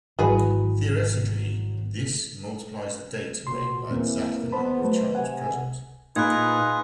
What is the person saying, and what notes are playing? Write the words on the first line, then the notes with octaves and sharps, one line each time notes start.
Theoretically this multiplies the data rate by exactly the number of channels present.
G#1 E3 F#3 F#4 G#4 B4
A#2 F#4 C6
D#2 E3 A#3 C4
B3 B4 C5 A5 B5
F#3 A3 B4 C5
C3 F#5 G#5
A#2 D#4 F4 G#4 B4 F#6 G#6